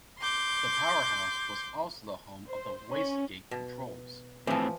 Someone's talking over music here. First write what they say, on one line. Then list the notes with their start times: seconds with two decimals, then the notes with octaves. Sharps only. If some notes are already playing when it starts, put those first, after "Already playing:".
The powerhouse was also the home of the waste gate controls.
0.18 C6 D6 G6
2.49 C5
2.93 C#4
3.51 B2
4.47 A2 E3 F3 C4